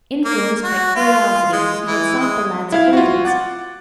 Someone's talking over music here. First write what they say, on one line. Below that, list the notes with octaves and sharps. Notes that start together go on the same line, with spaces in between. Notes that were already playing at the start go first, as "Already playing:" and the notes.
Influenced by curiosity he had sought the lad's acquaintance.
A#3
F#4
F4
G#3
E3
G#3
E4 F5 G#6
F4 F#4
F#5 D6 A6